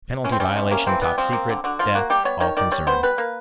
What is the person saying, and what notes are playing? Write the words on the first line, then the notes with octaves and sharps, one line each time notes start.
Penalty violation topsecret, death all concerned.
E3 C#4
C4
G3 C#4
C3
A#3 C#4
E3 C4
G3 B3
F3 C4
A#3
D3
D3 F#4
F3 F4
A#3 F#4
G3 G4
B3 C#5
D#3 C#5
D#3 D5
G3 C#5
B3 C5
G3 B4
A#3